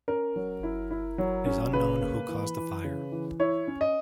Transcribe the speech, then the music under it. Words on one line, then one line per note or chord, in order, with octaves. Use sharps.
It is unknown who caused the fire.
C#4 A#4
F#3
E4
E4
F#3
C#4
C#3 B4
A#3
E3
E3
C#3
E3
E4 C#5
C#4
D#5